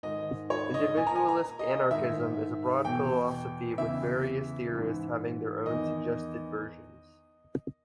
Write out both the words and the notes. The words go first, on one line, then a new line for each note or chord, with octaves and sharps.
Individualist anarchism is a broad philosophy with various theorists having their own suggested versions.
G#2 D#3 D#5
C#5
D#5
A#2 G#5
A#5
G#5
A#5
D#5
G#2 D#3 E5
E2 B2 G5
E2 C#3 E3 E5
G#2 E3
E2 D#3 D#5